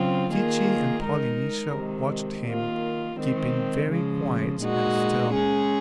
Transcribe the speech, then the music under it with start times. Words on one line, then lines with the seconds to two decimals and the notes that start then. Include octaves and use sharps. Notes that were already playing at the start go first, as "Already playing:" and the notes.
Chee-Chee and Polynesia watched him, keeping very quiet and still.
Already playing: C#3 F#3 C4 F4
0.30 D#3 A#3 F4 G#4
1.02 G#3 D#4 A#4
1.73 C3 D#3 G#3
2.46 D#3 A#3 F4
3.17 D#3 G#3 C4
3.88 C#3 F3 G#3
4.61 A#2 G#3 D#4 F#4
5.32 G#3 C#4 G#4